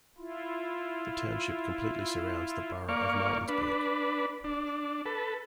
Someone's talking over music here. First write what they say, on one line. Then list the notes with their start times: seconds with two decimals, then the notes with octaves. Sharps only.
The township completely surrounds the borough of Martinsburg.
0.18 E4 F4
2.89 A#3 D5 F5 C#6
3.49 D4 B4
4.44 D4
5.06 A4 B4